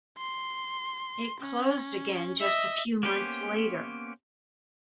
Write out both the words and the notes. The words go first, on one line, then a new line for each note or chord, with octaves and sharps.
It closed again just a few months later.
C6
C#4
D#5 E5
A#3 B3 C#4 G4 C5